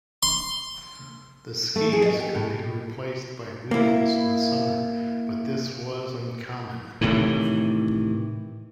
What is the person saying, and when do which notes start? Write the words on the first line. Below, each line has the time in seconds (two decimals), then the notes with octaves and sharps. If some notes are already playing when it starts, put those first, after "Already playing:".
The skis could be replaced by wheels in the summer, but this was uncommon.
0.23 C6
1.76 A3
1.92 G#4
2.05 D#5
2.20 G4
2.35 A2
3.71 A#3 E4
7.01 A2 C3 D#3 E3